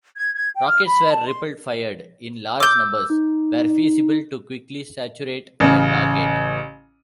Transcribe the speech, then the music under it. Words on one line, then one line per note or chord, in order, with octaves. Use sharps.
Rockets were ripple-fired in large numbers where feasible to quickly saturate a target.
G#6
G#6
G5
F6
B5
A5
C6
D6 E6 G6
D#4
A1 C#3